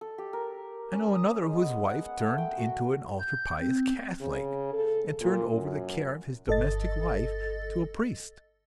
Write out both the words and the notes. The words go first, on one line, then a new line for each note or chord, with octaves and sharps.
I know another whose wife turned into an ultra-pious Catholic, and turned over the care of his domestic life to a priest.
A4
G4
A#4
C#4
D#6
G#3
B3
F#5
A3
G5
F#4
G6
C4
C#3
A4
A#2
F#2
G1 A4 D#5 A6